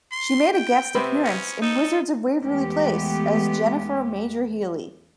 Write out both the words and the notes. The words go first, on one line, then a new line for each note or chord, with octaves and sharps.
She made a guest appearance in "Wizards of Waverly Place" as Jennifer Majorheely.
C6
G5
C3 B3 C4 B4
C#4
D#4 A4
E2 G#3 A3 B3 G4